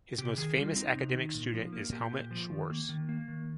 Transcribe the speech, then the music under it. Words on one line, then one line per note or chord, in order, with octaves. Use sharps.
His most famous academic student is Helmut Schwarz.
C3 G4
D#3 G#4
G3 F4
C4 D#4
C3
D#3
A#2
F3
A#3
A#2 G4
A#2
F3
D#3
A#3
D#3
A#3
D#3